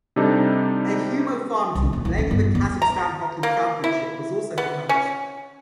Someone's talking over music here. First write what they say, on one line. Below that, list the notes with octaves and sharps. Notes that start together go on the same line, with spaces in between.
A Humo farm team playing in the Kazakhstan Hockey Championship was also proposed.
C3 G3 D4 D#4 A4
C2
D#1
E3
C#4
G1
E2
A#5
A#3
E4
B3
C#4